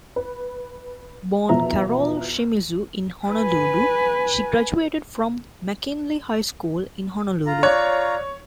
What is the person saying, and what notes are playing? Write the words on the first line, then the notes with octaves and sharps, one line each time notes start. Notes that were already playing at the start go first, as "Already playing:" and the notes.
Born Carole Shimizu in Honolulu, she graduated from McKinley High School in Honolulu.
B4
E2 B2 F3 E5 A#5
B4 G#5
F4 A#5
C#5 D5 F#6